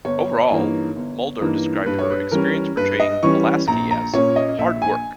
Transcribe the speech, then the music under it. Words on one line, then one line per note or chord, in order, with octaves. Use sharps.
Overall, Muldaur described her experience portraying Pulaski as "hard work".
G1 C#5
G2 E3 A#3 D#4
G1
G2 E3 A#3 D#4
G2 B4
C#5
B4
E3 G3 C#4 A#4
G2 B4
D#5
E3 G3 C#4 C#6
A#1 A#5
A#5
A#2 A#3 C#4 C#5
D#5
A#1 E5
G#5